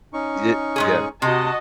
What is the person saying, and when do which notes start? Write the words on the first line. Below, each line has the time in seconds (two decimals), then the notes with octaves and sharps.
Ye yeah.
0.13 C#4 D#4 C#6
0.76 G#2 C#3 G#4
1.22 C3 F#4 D#5 A5